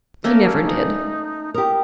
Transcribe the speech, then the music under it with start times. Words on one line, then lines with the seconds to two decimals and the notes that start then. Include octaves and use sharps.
He never did.
0.24 A3 A#3 C#4 A#4
0.64 D#4
1.54 G4 A#4 D#6